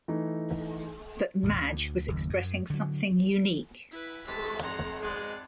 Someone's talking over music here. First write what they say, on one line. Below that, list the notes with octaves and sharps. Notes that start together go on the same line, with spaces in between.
But Madge was expressing something unique.
E3 A3 D#4
A1 D#2 D3
D2
F#1 D#2
F#2
D3 F#3
E4 B4
C3 E3 G#3 A5 B6
G#1 F2 F#5 A#5 C6
G#2 B2 G#3 D5 F#6